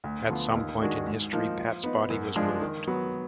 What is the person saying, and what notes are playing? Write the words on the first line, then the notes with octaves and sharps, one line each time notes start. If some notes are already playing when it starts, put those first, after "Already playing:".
At some point in history Pat's body was moved.
D2
D3 F3 B3 F4
D#2
D#3 G#3 D4 F#4
G#2
F3 A#3 D#4
F3
B3 D#4
F#2
F3 G#3 D4 F4
D#3
F#3 B3